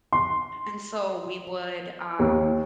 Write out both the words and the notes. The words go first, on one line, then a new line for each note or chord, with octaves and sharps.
and so, we would, um,
C6
D#2